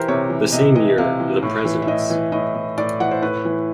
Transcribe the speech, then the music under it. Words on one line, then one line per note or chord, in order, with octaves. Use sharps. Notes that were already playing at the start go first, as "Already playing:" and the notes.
The same year, the Presents...
Already playing: E3 G4 A#4 C5
C3 C#5
E3
C3 D#5
E3 D#5
C3 F5
E3
A2
E3
E5
A2 D#5
E3
A2 D#5
E3
A2 D5
E3 F#5
C5
A2 B4
E3